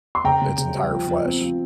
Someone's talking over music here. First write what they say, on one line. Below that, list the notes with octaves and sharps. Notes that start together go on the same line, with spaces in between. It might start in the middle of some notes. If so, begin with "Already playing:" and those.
its entire flesh.
C6
C#3 G5 A#5
C#3
C#3
G3
F3
F3
C4
F3